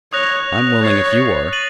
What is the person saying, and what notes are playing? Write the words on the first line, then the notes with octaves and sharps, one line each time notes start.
"I'm willing if you are."
C#5 D#6 F#6 A#6 F7
C#5 F#6 A6 C7
A6 D#7 F#7